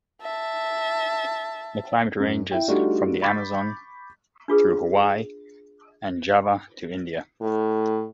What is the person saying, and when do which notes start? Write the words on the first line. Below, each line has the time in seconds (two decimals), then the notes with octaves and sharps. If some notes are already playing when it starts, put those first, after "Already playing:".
The climate ranges from the Amazon through Hawaii and Java to India.
0.22 E5 A5
2.20 F#2
2.51 E4 E5 G5
2.68 G3 A3 D4 D#4 F4 F#4
3.22 B5 C#6 D6 G6 A6 B6
4.48 D4 F4 G#4 B4
7.42 A2